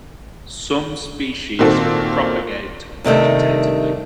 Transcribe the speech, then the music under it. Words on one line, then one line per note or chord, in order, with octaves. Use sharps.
Some species propagate vegetatively.
A#2 D#3 C4 F#4 A4
G2 C3 D#3 A3